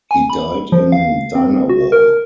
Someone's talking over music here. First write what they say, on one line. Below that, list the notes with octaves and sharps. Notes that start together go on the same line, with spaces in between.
He died in Dinawar.
G#5
B5
F3
F5
C4
F#4
A#4